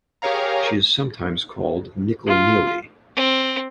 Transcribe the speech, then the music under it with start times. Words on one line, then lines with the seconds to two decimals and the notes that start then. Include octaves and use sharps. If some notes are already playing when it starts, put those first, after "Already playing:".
She is sometimes called "Nickel Neelie".
0.22 G4 G#4 A#4 C#5 F5 A#5
2.27 F4
3.15 C4